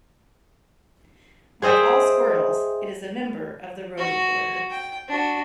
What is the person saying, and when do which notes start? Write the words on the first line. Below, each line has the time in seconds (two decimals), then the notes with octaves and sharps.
Like all squirrels, it is a member of the rodent order.
1.62 G#4 C5 D#5 E5 G5
3.98 F#4
4.71 G5
5.08 D4 F#4